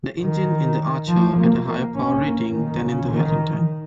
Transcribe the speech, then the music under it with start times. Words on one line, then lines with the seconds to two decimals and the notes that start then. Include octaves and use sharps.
The engine in the Archer had a higher power rating than in the Valentine.
0.20 D#3
1.07 F3
1.37 A#3
1.95 C#4
2.24 A#3
2.54 D#3
2.83 C#3
3.12 D#3